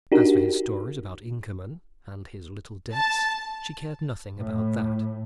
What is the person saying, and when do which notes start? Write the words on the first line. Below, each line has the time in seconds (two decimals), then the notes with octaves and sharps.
As for his stories about Inkerman, and his little debts, she cared nothing about that.
0.12 D4 D#4 F#4 G4 A#4
2.94 A5
4.38 A2